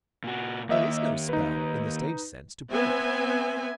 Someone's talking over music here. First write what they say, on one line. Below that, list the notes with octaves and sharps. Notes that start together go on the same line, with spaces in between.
There is no spell, in the stage sense, to break.
A#2 F#4
D#2 A#3 D#5 E5
D#4 B4
B3 C4 E5 G#5